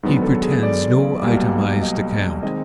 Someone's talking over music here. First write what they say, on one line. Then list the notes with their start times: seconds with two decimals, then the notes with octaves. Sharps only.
He pretends no itemised account.
0.03 G#2 D#3 F#3 B3 D4
0.23 A4
0.43 G#4
0.63 D5
1.23 B1 B2 G3 A#3
1.82 D#5
2.43 D#3 G#3 C4 D#5